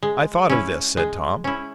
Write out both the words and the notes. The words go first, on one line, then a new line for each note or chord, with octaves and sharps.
"I thought of this," said Tom.
G#3
C#4 E4
G#3
C#4 E4